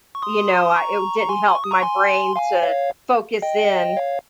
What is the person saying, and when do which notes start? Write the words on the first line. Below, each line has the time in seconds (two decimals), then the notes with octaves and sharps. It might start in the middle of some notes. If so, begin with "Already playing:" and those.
You know, I it didn't help my brain to focus in.
0.15 C#6
0.22 C6 D#6
0.75 A#5 C#6
1.21 A#5
1.29 G#5 C6
1.55 C#6
1.64 D#6
1.71 A#5 C#6
1.82 G#5 C6
2.36 F5 G#5
2.62 C#5 F5
3.42 D#5 G5
3.97 C#5 F5